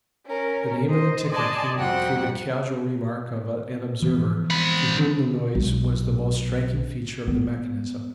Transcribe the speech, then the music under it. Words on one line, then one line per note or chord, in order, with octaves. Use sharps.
The name of the "ticker" came through the casual remark of an observer to whom the noise was the most striking feature of the mechanism.
C#4 A#4
C5 D#5
D5 D#5 G#5 A5 C6
F2 G3 F#4 C5 F#5 G5
E3 F3 B3
C4 B5
B1
B3